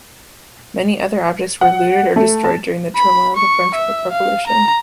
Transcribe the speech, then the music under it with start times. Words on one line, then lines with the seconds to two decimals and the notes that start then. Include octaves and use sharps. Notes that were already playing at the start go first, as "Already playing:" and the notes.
Many others objects were looted or destroyed during the turmoil of the French Revolution.
1.61 F#5
2.16 A3
2.44 A5
2.95 B5
3.36 C#6
3.74 E5
4.12 F5
4.47 A#5